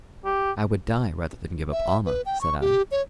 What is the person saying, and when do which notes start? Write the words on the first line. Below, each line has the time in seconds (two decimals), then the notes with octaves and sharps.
"I would die rather than give up Almah," said I.
0.25 G4
1.72 E5
2.06 B4
2.26 G5
2.41 C#6
2.61 G4
2.91 C#5